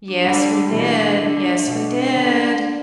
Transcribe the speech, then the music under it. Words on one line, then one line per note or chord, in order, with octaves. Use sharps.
Yes, we did. Yes, we did.
D4
D3 G3 D4
D4
G4
B2 E3 E5
D4
D4
D3 D4
D4
E5
B2 D4
D4
B4
D3 D4
D4
D4
D5